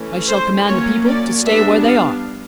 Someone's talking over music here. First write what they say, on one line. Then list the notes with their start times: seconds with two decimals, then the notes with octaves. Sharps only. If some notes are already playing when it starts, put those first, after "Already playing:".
"I shall command the people to stay where they are."
Already playing: E3 A3 C#4
0.28 C5
0.66 F#3 A#3 C#4 C#5
1.06 D5
1.45 G3 B3 D4 E5
1.84 F5